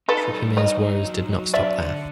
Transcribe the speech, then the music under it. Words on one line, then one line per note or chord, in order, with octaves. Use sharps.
Trpimir's woes did not stop there.
D#4 A4 B4
G3
D#4 C#5 D#5
D#4
F#3
F#3
D4 D5 E5
D3